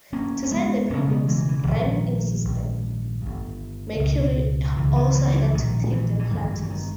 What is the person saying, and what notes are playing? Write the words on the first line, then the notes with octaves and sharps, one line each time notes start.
To sign the Penguins, Ram insisted, Mercury also had to take the Platters.
G1 G2 A#3 C#4
C#4
G#3 B3
E1 D#2 C#3 A#3 C#4
G#3 B3
E3 G#3
E3
A#1 G#2 D#3
A#1 G#2
G1 G2
C#2 B2
C#2 C#3 E3
D#3
E3
E3
A#1 G#2 D#3
E3
E3
G#1 G2 D#3 G3
E3
E3
D#3